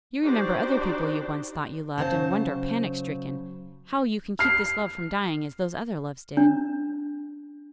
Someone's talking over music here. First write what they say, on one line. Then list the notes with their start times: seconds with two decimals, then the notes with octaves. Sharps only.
You remember other people you once thought you loved, and wonder, panic-stricken, how you can keep this love from dying as those other loves did.
0.22 D4 D#4 F#4 G4 C5 D5
1.98 C#3 F#3 C5 A5
4.39 F6 C7
6.37 D4